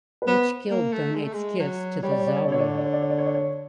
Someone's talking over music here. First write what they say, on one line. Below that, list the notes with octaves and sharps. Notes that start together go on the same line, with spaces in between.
Each guild donates gifts to the zawiya.
B4
B3 C5
A#3
A3
G#3
A3
G#3
F#3
G3 C#5
D5
C#5
D5
C#5
D5
D3 C#5
D5
C#5
D5
C#5
D5
C#5
D5
C#5
D5
C#5